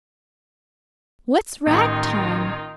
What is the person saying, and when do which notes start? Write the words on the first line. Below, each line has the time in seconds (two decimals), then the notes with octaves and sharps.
"What's rag-time?"
1.66 A1 D#3 D#4 F4